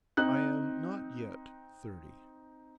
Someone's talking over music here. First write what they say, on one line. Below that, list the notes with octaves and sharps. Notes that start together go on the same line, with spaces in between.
'I am not yet thirty.'
C4 D#4 F#6